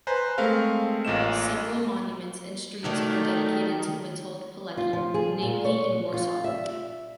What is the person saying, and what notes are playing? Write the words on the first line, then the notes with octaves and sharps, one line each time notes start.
Several monuments and streets are dedicated to Witold Pilecki, namely in Warsaw.
B4 C5 G#5 A#5
G#3 A3 C4 A#4 F5
A1 A#2 D#5 E7
D#3 F#3 A3 D5
F4
F3
G#4
A#2
C#5
F4
E5